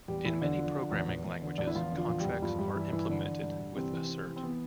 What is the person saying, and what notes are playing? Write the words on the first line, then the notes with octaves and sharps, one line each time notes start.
In many programming languages, contracts are implemented with assert.
E2 G3 G4
E2 E3 E4
D3 D4
F3
F3
E2
E2
E2
D3
E2 D4
E4
E2 F3 F4
D3
F3 F4
E2
G3 G4
E2
G2 F3 F4
G2 G3 G4
E3 E4
G2 E3 E4
D3 E3 D4
E3
G2
G2
C3 E3 C4
E3
E3
E3
C4
E3 B3